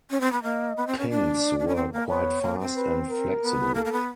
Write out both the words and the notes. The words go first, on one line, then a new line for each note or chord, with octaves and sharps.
Pinks were quite fast and flexible.
C#4
C4
B3
A#3 D#5
B3
C4
C#4
D4 D5
D4
C#4
C4
A#3
B3 C#5
A#3
C4
B4
A#4
B3
A#3 A4
A#3
B3